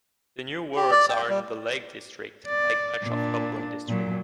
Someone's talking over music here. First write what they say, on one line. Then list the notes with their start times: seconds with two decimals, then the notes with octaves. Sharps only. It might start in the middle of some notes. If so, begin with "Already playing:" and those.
The new wards are in the Lake District, like much of Copeland district.
0.76 G4
0.91 D5
1.10 G5
1.29 G3
2.47 D5
3.04 A#2 D4
3.88 A#2 F#3